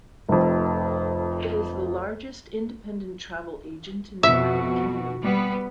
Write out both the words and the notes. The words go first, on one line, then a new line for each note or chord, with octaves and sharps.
It is the largest independent travel agent in the United Kingdom.
F1 F2
F2 B2 F#4 E5
G3 B3